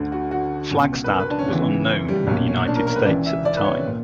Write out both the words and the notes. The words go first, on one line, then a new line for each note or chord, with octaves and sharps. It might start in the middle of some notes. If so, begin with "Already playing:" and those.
Flagstad was unknown in the United States at the time.
Already playing: D2 D3
F#4
F#4
C#2 B2
B4
A#4
B4
D4
C#4
C#2 C#3 E3 B3
G3
B1 A#2 C#4
C#4
D4
A#4
A#4
B4
C#2 C#3 E3 D5
E5
D5
B4
C#5
A#2